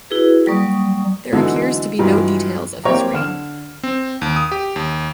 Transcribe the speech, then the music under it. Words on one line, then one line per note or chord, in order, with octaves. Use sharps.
There appears to be no details of his reign.
E4 F#4 G#4 B4
F#3 G3 A#3 D5 C#6 D#6
D3 E3 F#3 G#3 D#4 A4
G2 E3 F#3 G#3 F4
A#3 C4 G4 C#5 G5 A#5
D3 F6 E7
C4
D#2
D#6
G4
D#2